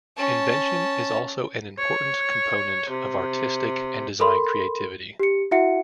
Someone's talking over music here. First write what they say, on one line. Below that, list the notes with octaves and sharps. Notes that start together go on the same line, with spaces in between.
Invention is also an important component of artistic and design creativity.
C#4 A5
C#5
C3
A4 A#4 B5 C6
G4 C#7
E4 F#4 E5 F#5 C#7